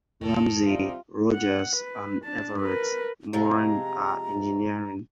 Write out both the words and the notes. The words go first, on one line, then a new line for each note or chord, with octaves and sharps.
Ramsey, Rogers, and Everett Moran are engineering.
F1 D#3 A4
C3 G3 F4
F#5
B4
D4 A5
A#4 B4
C3 F3 G#3 A#5